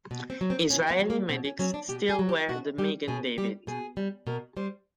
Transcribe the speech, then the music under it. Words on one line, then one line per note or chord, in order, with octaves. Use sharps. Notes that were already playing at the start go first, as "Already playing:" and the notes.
Israeli medics still wear the Magen David.
B2
C4
F#3
C4
B2 C#4
B3
F#3
A#3
B2 C4
C#4
F#3 C#4
D4
B2 G4
G#4
F#3
G4
B2 F#4
G3 G4
B2 G#4
G3 G4
B2 G#4
G3
B2 A#4
G3 C5